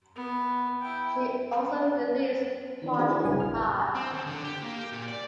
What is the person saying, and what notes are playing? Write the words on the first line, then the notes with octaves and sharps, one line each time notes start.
She also released Haunted Heart.
B3
E4 G5
D#3 E3 B3 D4
C4 F#4 G#4 B4 D5
C4 D4 E4 F#4 G#4 C#5
C#2 F#2 C3 G3 G#4 G#5
A1 F6
C4
D#2
D3
G4
A#3
G4
A#2
D5